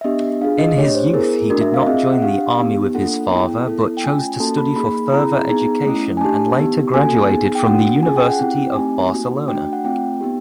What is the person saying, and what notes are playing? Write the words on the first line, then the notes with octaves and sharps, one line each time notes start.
In his youth, he did not join the army with his father, but chose to study for further education, and later graduated from the University of Barcelona.
E5
B3 D4 G4 D#5
D4 F4 G#4 F5
D#5
A3 D4 G4 C#5
C5
B3 E4 G#4 A#4
A3 D4 F#4 A#4
E5
F5
D#5
C4 F4 G#4 E5
F#5
D4 G4 F5
B3 D#4 G4
A#3 D4 F4 A4 F#5
B3 E4 G#4 G5
B3 E4 A4
G5
A3 C#4 F4 G#5
A#3 C#4 F#4 A4 A5
B5
A#3 D#4 G#4 B5
B5
B5
C4 E4 G#4 A#5
B3 D#4 G#4 A#5
A3 C#4 E4
G#5
A3 D4 G4 A5
B3 D#4 G4
A#3 C#4 F#4 A4 G#5
B3 D#4 G#4
G5
A#3 D4 F#4 F#5
C#4 F4 G#4 G#5
G5
F#5
C4 E4 G4 G5
A3 C4 D#4 G4 G#5
A#3 D#4 F#4
A3 D4 F#4 G5
F#5
A3 C4 F4 G5
B3 D#4 G4